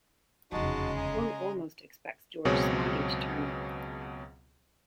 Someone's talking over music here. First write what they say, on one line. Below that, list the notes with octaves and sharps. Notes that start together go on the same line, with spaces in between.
One almost expects George Smiley to turn up.
F1 E2 C#3 G#3 D#4 F#4 A5
D#5 G#5 A#5
C#2 B2 F#3 C4 G#4 C#5